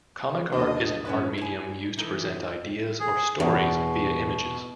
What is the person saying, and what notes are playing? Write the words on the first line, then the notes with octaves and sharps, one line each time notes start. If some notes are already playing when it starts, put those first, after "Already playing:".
Comic art is an art medium used to present ideas or stories via images.
D#2 D4 D#5
G2 C#4 E4 B4
E4 G#5
E3 D#4 E4 A4
G#4
E2 B2